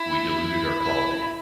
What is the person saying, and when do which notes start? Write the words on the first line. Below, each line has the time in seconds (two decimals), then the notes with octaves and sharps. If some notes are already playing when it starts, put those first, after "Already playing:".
We diluted our quality.
Already playing: E4
0.82 E4